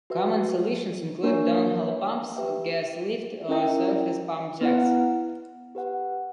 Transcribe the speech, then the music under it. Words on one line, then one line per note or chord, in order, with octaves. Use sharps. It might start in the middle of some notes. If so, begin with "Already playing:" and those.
Common solutions include downhole pumps, gas lift, or surface pump jacks.
F#4 B4 E5
A#3 D4 A#4 C#5
G4 B4 E5 G5
C#4 E4 A#4 E5 G5
B3 E4 B4 F#5
G4 B4 F#5